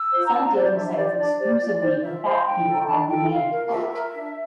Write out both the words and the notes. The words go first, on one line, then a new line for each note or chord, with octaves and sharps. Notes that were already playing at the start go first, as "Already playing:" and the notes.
Some dating sites exclusively for fat people have been made.
Already playing: E6
F4 C5
A#5
D4 A5
A#5
F4 C5 D5
D5
D4 E5
E5
G4 C5 D5
D5
D4 D5
G4 C5
F4
C5
F4 E5
C5 F5
D4 G5
F4 A4
D4 A5
F4 A4 G5
F4 F5
A#4
F5
F4 E5
A#4
D4